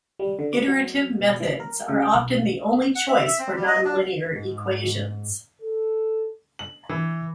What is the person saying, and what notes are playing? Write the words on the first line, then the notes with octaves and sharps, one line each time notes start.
Iterative methods are often the only choice for nonlinear equations.
G3
D3
D6
F#3
B2
E3
A#4
C#3
G5
B1
F#5
E5
E5
C4
G3
D#5
D4
G#2
A4
F#7
E3